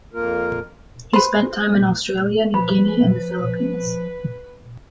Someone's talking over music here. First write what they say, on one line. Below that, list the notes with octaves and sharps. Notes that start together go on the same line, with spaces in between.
He spent time in Australia, New Guinea, and the Philippines.
F2 A#3 F4 A#4
B4 C5
F3 B4 B5